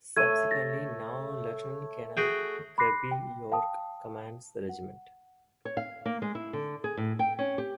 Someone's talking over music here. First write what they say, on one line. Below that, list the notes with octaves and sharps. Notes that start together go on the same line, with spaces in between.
Subsequently, now Lieutenant-Colonel Kirby York commands the regiment.
A3 C#5 G#6 D#7
A6 A#6
F#4 G#4 G5 G6
B5 C6 D6 F#6 A#6 C7
G5
F5 G5 A5 D#6
F#5
C#5
F5
A#3
G#3
E4
D3
G#4
A2
G5
C#4
G4